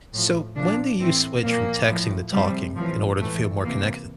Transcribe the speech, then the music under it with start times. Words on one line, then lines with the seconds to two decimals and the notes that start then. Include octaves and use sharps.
So, when do you switch from texting to talking in order to feel more connected?
0.12 A2 F3
0.55 A#2 F3 D4
0.99 A2 E3 C4
1.44 A#2 F3 A#3
1.88 A2 F3
2.31 C3 F3 G3
2.76 A2 E3 F3
3.19 A2 E3 A3
3.63 C3 E3 A#3